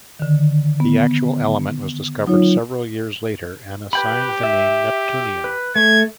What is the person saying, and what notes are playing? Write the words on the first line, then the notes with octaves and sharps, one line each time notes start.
The actual element was discovered several years later, and assigned the name neptunium.
D3 D#3
B3
F#3 D#4 F4 C#5
G4 B4 G5 B5
E5
B4
A3 G#6